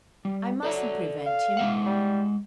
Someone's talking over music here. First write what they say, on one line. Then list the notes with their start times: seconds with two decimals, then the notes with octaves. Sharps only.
I mustn't prevent him.
0.25 G3
0.63 F#3 A4 D5 E5
1.26 F5
1.57 G#3 E5 F#5
1.86 G3